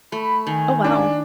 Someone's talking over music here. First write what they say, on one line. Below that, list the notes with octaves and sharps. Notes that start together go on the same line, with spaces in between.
Oh wow.
A3 B5
D#3 G#5
D4